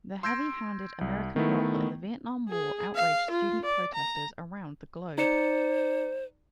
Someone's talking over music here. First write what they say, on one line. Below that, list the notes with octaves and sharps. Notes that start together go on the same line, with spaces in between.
The heavy-handed American role in the Vietnam War outraged student protestors around the globe.
C6 E6 G6 G#6 A#6 D7
C2
D#3 A3 B3 E4
G#4
F5
F4
D5
A#5
D#4 C5 D5 C#7